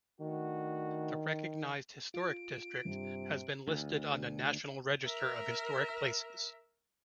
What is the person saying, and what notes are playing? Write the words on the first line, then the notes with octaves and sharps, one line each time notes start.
The recognized Historic District has been listed on the National Register of Historic Places.
D#3 A3 D4 F#4
F4 D7
G2 C3
D2
A#4 E5